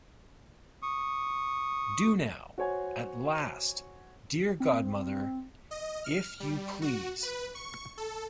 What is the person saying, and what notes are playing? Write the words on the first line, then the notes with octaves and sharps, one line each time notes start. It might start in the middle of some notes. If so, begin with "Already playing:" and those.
Do now, at last, dear godmother, if you please!
C#6 D#6
F#4 C5 C#5 G#5
C4
D#5
F6
G3
F#4
B4
C#6
A4